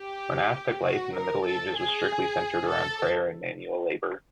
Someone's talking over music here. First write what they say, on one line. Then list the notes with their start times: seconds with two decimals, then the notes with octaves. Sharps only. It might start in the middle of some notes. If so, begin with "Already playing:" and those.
Monastic life in the Middle Ages was strictly centered around prayer and manual labor.
Already playing: G4
0.84 F#4
1.14 A#4
1.46 A4
1.77 G#4
2.70 A4